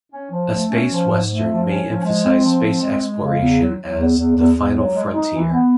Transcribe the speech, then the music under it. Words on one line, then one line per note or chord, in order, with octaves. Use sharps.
A space Western may emphasize space exploration as "the final frontier".
C#4
F3
A3
C#4
F3
G#2
A3
F3
C#4
F3
G#3
C4
F3
C4
G#3
G#3
C#3
E2
F#3
F#3
E2
E2
E2
E2
F#3
G#3
D#4
E3
B3